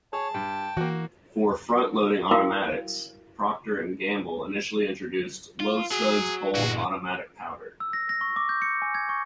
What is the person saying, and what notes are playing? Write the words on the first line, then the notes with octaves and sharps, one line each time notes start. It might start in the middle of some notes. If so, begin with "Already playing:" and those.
For front loading automatics, Procter and Gamble initially introduced "Low Suds Bold Automatic" powder.
G#4 C#5 A5
G2 G5
E3 A#3 F#4
E4 F#4 A#4 F5 G5
F4
F#3 G#4
G1 A#2 E3 G#3 F#4
E6
A#6
A#6
C#6
D6
G6
C#7
G#5
G#6
C#6